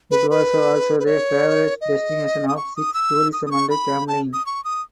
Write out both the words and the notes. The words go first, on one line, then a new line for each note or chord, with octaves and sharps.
It was also the favorite destination of sex tourism and gambling.
B4
B4
B4
C#5
D#5
D#6
C#6
D#6
E6
D#6
D#6
C#6
B5
A5
D#6
C#6
D#6